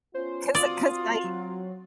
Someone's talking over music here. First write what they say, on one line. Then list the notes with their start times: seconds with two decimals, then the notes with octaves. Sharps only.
'Cause I 'cause I,
0.14 B3 C#4 F4 C5
0.55 C4 F4 F#4 D5 D#6
1.24 F#3